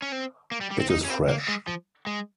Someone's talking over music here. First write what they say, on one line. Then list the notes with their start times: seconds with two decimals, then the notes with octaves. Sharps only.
It is fresh.
0.02 C#4
0.12 C4
0.51 A#3
0.61 G3
0.71 G3
0.80 C4
0.90 D#4
1.05 C#4
1.10 C4
1.28 A#3
1.48 G#3
1.67 F3
2.07 G#3